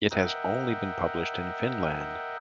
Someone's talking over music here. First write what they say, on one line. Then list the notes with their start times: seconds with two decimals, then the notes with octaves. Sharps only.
It has only been published in Finland.
0.11 A#4 D#5 E5 F#5 G5